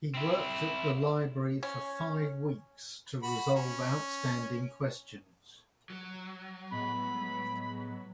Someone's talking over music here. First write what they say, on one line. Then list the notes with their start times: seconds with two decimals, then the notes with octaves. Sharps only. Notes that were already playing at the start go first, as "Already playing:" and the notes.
He worked at the library for five weeks to resolve outstanding questions.
0.14 C4 E4
1.63 C#4
3.23 F#4 B5
3.56 C#4
5.90 F#3
6.71 A2 G#3 B3 B5